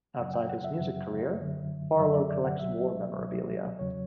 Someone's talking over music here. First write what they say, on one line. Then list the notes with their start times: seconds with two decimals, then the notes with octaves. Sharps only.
Outside his music career, Farlowe collects war memorabilia.
0.19 F#2 C#3 F#3 F#5
0.33 G5
0.50 F#5
0.64 E5
0.79 F#2 C#3 F#3
1.39 F#2 D3 F#3
1.99 F#2 D3 F#3 E5
2.14 D5
2.29 D5
2.44 F#5
2.59 C#2 B2 F#3 E5
3.19 C#2 B2 F#3
3.79 E2 C#3 F#3 C#5